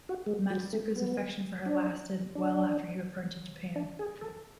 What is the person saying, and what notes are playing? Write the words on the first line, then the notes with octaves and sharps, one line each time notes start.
Matsuoka's affection for her lasted well after he returned to Japan.
F#4
G#3
F#3
A3
B3
D4
D4
D4
G#4
A4